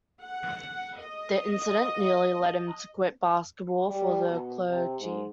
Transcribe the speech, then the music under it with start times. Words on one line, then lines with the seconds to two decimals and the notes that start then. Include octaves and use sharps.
The incident nearly led him to quit basketball for the clergy.
0.21 F#5
0.98 D#5
3.89 G3
4.28 B2
4.69 C3
5.00 G#2